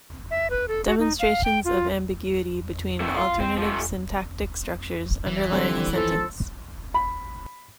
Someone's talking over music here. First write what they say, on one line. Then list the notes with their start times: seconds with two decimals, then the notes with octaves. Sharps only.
Demonstrations of ambiguity between alternative syntactic structures underlying a sentence.
0.31 E5
0.50 B4
0.68 A4
0.86 F#4
0.99 D#4
1.19 F5
1.44 G5
1.65 F4
3.00 A3 C4
3.17 F4
3.40 C4
3.58 F3 A3
5.26 E3
5.52 D3 G3 C4
5.96 F3 A4
6.94 B5